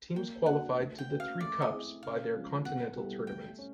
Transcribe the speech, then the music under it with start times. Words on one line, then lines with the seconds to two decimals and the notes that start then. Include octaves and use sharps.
Teams qualified to the three cups by their continental tournaments.
0.16 A#3 G5
0.46 D4 F#4 F#5
0.78 A3
0.98 G5
1.09 C#4 F#4 B4
1.20 F5
1.40 A3 D5
1.62 D#5
1.71 C4 E4 G#4
2.02 C#3 F5
2.34 F3 G#3 C#4
2.65 B2 F#5
2.96 G3 B3 E4 A4
3.27 A3 G5
3.59 C#4